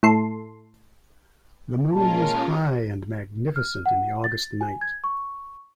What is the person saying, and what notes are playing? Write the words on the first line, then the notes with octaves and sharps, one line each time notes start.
The moon was high and magnificent in the August night.
A2 A4 C6
A#2 G#3 C#4 F4 A#4 A5
F6
F#5
A6
G#5
G#6
C#6